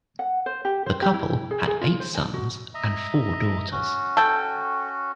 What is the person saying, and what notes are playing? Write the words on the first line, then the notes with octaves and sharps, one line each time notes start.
The couple had eight sons and four daughters.
F#5
C5
G4
C5
G4
E4
G#4
G#4
F4
C5
A5
F#4
D#5 E5 A#5
C#4 F#4
A4 G5